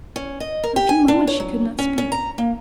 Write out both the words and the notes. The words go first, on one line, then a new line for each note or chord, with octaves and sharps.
For a few moments she could not speak.
C#4
D#5
A#4
G4
G#5
D4
C#5
F#3
C#4
C#4
A#5
A#3